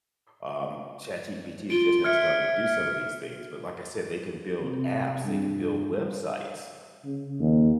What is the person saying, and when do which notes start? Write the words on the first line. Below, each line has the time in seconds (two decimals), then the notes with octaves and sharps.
Um, ChatGPT is just now starting to do some of these things, but like I said, they can build apps, they can build websites.
1.70 F4 D7 G7
2.04 E5 F6 G#6 C#7
4.63 C3
5.24 G2
7.05 C#3
7.40 D#2